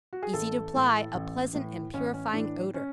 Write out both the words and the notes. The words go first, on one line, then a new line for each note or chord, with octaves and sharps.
Easy to apply, a pleasant and purifying odor.
F#4
G#4
A1 A4
A2 E3
A1
A2 E3
A1 C#4
C#4
A2 E3 D4
C#4